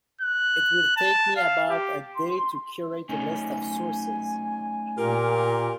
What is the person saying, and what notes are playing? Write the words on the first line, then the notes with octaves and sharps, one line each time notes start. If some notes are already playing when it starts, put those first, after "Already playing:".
It will take me about a day to curate a list of sources.
F#6
A5
F5
G4
C6
A3 C#4 D#4 G#5
A#2 F4 G4 A#4